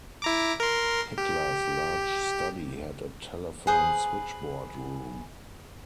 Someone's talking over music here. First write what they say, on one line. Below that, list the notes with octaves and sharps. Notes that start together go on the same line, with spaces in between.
Hitler's large study had a telephone switchboard room.
E4 A#5 D6
A#4 C6
G4
G#4 B4 C5 D#6